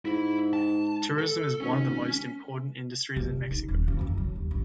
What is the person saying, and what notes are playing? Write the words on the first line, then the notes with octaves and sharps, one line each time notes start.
Tourism is one of the most important industries in Mexico.
G#2 E4
A5
A4
G#1 C#4
C3
D#4
D#1
F#1
E2
F#3
D#2
A1